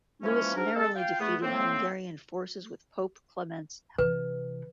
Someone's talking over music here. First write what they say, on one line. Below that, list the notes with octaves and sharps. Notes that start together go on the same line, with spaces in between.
Louis narrowly defeated Hungarian forces with Pope Clement's help.
E3 F3 G#3 A#3 C#4
G#2 D4 A#4
G#3 C4 A4
F4 F5 G5
E2 A3 B3
A2 A#3 C4
C3 E3 B4